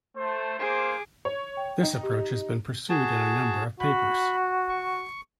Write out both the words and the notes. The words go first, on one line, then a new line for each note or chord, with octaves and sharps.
This approach has been pursued in a number of papers.
A3 C5
A#3 G#4 A#4 C5 D6
C#5
G5
D#4
G4
F#4 G#4 A5
F#4 B5
C#6